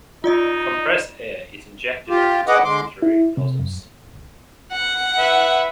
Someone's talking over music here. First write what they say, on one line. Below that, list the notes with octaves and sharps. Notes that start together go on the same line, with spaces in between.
Compressed air is injected at the top through nozzles.
D#4 F4 D5 D#5
F4 G4
G#4 B4 D#5 F#5 D6
D3 G#3 C6 D6
E4
C3
F#2
F#5
B4 E5